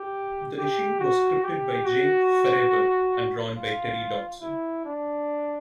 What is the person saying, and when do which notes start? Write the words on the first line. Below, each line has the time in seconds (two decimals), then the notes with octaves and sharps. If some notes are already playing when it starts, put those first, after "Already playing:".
The issue was scripted by Jay Faerber and drawn by Terry Dodson.
Already playing: G4
0.58 G4
1.00 F#4
1.43 G4
1.85 F#4
3.57 F4
4.42 E4
4.85 D4